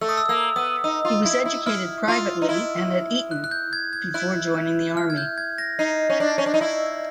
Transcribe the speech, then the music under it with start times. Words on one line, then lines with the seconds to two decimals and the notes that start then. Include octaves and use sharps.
He was educated privately and at Eton before joining the army.
0.01 A3 E6
0.09 D#6
0.17 E6
0.29 A#3 E6
0.56 B3 D#6
0.84 D#4 D#6
1.05 F4
1.25 E4
1.45 E4
1.66 E4 F6
2.08 F4
2.42 D#4
2.49 E4
3.31 F#6
3.44 F#6
3.51 G6
3.73 G#6
3.93 G#6
4.14 E4 F#6
4.97 F6
5.10 G#6
5.17 G6
5.38 G#6
5.58 A#6
5.79 D#4 C7
6.10 C#4
6.20 D4
6.38 C#4
6.46 D4
6.54 D#4
6.61 E4